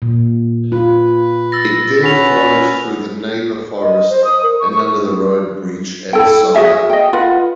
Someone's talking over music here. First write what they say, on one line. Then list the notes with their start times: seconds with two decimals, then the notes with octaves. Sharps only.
It then flows through the Naver Forest and under the road bridge at Syre.
0.02 A#2
0.72 F4 B4
1.52 E6 A6 A#6
2.03 C#4 F#4 B4 B6 F7
3.81 D#5
4.10 C5
4.24 D#6
4.43 A#4
4.60 C#6
4.71 C#6
6.13 E4 A4 G5
6.55 F#4 G#4 E5 G#5
6.90 D#5 G5
7.13 F4 B4 F#5